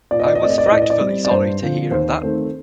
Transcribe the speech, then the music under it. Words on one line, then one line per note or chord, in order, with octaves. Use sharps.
I was frightfully sorry to hear of that.
A#2 D5
D#5
D5
D#5
A3 C4 D5
D#5
D5
D#5
A2 D5
D#5
D5
G3 C4
D5
G2 C5
D3 F3 C4
D#2 C5
D#3 A3 C4